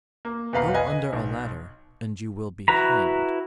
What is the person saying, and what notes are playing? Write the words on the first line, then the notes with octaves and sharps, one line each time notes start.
Go under a ladder and you will be hanged.
A#3
E2 B2 B4 F5 A#5 C7
B4 D#5 G#5
B1
E4 F#4 B4 A#5 B5